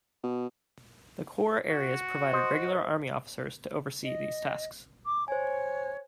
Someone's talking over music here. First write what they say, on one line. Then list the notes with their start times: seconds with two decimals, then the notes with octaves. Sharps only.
The corps areas provided Regular Army officers to oversee these tasks.
0.23 B2
1.70 F#4
2.33 C5 D#5
4.03 D#5
5.05 D6
5.28 C5 C#5 G#5